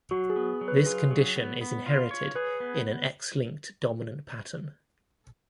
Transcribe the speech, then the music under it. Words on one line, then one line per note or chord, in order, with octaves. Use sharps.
This condition is inherited in an X-linked dominant pattern.
F#3 F#4
G#4
B3
F#3
B4
F4 G#4
F#3
B3
B3
F4
C#5
G#4 B4
B3